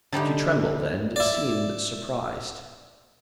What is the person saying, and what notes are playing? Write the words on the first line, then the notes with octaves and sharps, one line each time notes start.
She trembled and seemed surprised.
D3 G3 D#4 G4
E4 D5